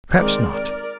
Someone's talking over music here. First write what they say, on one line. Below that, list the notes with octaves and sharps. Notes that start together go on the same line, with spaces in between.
Perhaps not.
D#3 G#3 C4 A#4 D5
A#4 D5